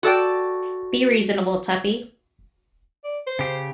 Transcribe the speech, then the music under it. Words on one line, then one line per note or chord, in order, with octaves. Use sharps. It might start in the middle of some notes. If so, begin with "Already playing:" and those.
Be reasonable, Tuppy.
F#4 A4 D5 G5
D5
C5
C#3 G4